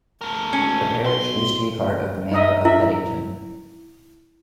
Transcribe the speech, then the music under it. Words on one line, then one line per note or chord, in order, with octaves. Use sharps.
The parish used to be part of the manor of Headington.
A3 A#4
G#1 C#4
B1 C4 C6
D#4 D#5 E5
E4 E5